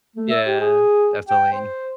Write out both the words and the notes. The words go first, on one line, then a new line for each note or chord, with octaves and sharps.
Yeah, definitely.
A3
E5
G4
G#4
G5
C5